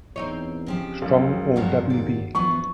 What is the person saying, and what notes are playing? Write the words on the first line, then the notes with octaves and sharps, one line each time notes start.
Strong or W. B.
E2 C4 D#4 C#5
C#3 F3 G4
C#2 F#2
G2 F3 B3 F#4 A#4
D#2 D5
E2 E3 F3 B3 C#6